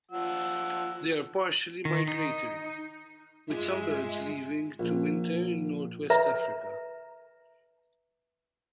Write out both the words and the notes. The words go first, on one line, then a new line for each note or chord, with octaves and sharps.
They are partially migratory, with some birds leaving to winter in northwest Africa.
F3 F#5 E6
D#3
D#4
G2 G#3 F4 G#4 E5
A#1
B4 E5 A#5